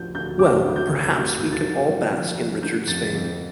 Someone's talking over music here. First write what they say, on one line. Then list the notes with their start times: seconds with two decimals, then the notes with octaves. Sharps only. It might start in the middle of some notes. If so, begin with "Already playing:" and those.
Well, perhaps we can all bask in Richard's fame.
Already playing: D2 F3 G6
0.15 D2 G6
0.39 D2 D6
0.64 D2
0.76 G6
0.89 D2
1.13 C3 G6
1.39 D2
1.52 A6
1.63 F3
1.89 F3
2.13 F3
2.38 C3
2.63 D3 G6
2.88 F2 A6
3.13 F2